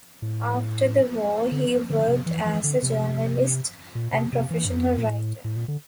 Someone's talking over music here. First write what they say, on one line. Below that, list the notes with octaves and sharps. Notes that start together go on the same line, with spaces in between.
After the war he worked as a journalist and professional writer.
A2
D3
D3
C3
E3
E3
D3
C3
A#2
C3
C3
E3
G2
F2
A#2
A2
A2
A#2
D3